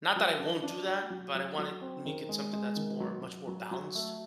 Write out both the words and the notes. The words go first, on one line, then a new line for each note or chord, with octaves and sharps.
not that I won't do that, but I want it make it something that's more much more balanced
F#3
D4
D4
F#4
F#3
F#3
F#3
C4
D#3
G#3
G#3
D#3
F#3
F#3
F#3
F#3
A3